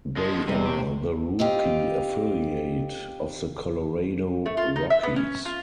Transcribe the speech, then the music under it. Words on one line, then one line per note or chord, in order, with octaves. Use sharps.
They are the Rookie affiliate of the Colorado Rockies.
F3 G#3
C3 G3 G#3 D#4
B2 G4
C4 D#4 F4 G4
A3
F4
D#4
E5
B3
C#4
F4